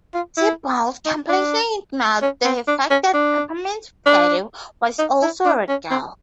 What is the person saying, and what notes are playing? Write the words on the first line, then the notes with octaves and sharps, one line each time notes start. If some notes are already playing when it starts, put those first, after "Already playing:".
Thibault completely ignored the fact that Peppermint Patty was also a girl.
F4
E4
D#4
D4
C#4
C4
D4
C#4
D4
D4
D#4
E4
D4
C#4
C4